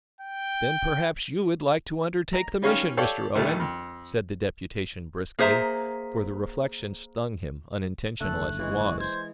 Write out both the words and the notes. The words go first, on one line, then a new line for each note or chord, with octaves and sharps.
"Then perhaps you would like to undertake the mission, Mr. Owen," said the Deputation briskly; for the reflection stung him, unintentional as it was.
G5
A#5
D#3 G3 C#4 F5 C#6 F6
G4 A4 C#5 D5 F5
A#1 D#2 G3 A3
F2
A#3 G#4 C5 E5 A#5
F#1 D3 A3 A4 F#6
E3 G#3 C#5
C5 G#6